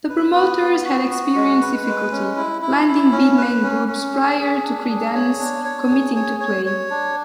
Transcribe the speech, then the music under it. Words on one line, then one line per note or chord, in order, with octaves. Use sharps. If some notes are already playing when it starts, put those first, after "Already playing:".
The promoters had experienced difficulty landing big-name groups prior to Creedence committing to play.
B4
B3
B3
F#4
F#4
G#3
B4
G#3
C#4
E4
E4
E4
C#4
B4
C#4
C#4
G#4
G#4
D4
G#4
C#5
D4
C#5
G#4
C#5
C#5
C#5
D4